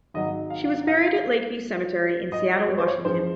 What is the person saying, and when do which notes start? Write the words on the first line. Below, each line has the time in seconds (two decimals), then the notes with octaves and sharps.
She was buried at Lake View Cemetery in Seattle, Washington.
0.14 G#1 G#2 F#3 D#5
0.50 F5
0.87 F5
2.32 D#5
2.68 C#5
2.78 C5
2.87 C#5
3.05 F#2 F3 G#3 C#4 C5